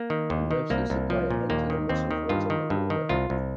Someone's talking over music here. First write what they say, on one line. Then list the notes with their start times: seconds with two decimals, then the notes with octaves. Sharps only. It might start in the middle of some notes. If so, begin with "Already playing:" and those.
The nerves that supply it enter the muscle from its upper border.
Already playing: A#3
0.10 D#3
0.30 D#2
0.51 D#3
0.70 C2 A#3
0.90 C2
1.10 F3
1.30 A#2
1.50 D#2 A#3
1.70 D#3
1.89 D#2 C4
2.11 D#3
2.29 G2 F4
2.50 D#3
2.70 G2
2.90 D#3
3.09 C2 F4
3.30 C2